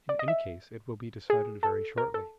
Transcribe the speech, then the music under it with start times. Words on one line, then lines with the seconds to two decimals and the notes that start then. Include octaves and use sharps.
In any case it will be decided very shortly.
0.09 D5
0.19 D#5
0.28 E5
1.30 G#4
1.63 A4
1.98 A#4
2.14 A4